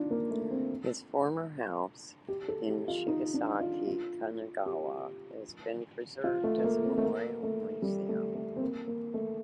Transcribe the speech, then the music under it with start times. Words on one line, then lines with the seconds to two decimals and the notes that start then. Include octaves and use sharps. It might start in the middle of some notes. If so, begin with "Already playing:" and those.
His former house in Chigasaki, Kanagawa has been preserved as a memorial museum.
Already playing: D4 D#4 F4
0.11 A#3
0.31 A3
0.51 C4
2.28 G4
2.48 A4
2.68 G4
2.88 F4
3.08 D#4
3.34 D4
3.60 F4
3.87 F4
4.66 G4
6.24 F4
6.44 A3
6.58 A3
6.64 A#3
6.84 C4
6.97 A3
7.03 A#3
7.43 A3
7.82 G3
8.09 A3
8.35 A3
8.56 C4
8.62 A#3
8.87 A#3
9.14 A3